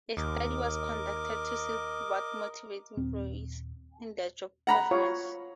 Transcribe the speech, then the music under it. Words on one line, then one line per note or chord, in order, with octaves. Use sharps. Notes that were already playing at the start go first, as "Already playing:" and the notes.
A study was conducted to see what motivates employees in their job performance.
D#2 A#4 D#5 D6
D#1 C4
F#5 A#5 B5
F4 C#5 F5